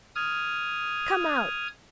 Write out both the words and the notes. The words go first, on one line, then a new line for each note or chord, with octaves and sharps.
Come out!
D#6 F6 G#6